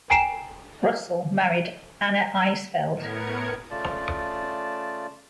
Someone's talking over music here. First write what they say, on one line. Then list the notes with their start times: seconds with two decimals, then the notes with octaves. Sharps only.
Russell married Anna Isfeld.
0.10 G5 G#5 A#5 C7 D7 E7
2.94 A2 B3 A#4 G#6 C#7
3.71 C#3 A3 F4 D5 A5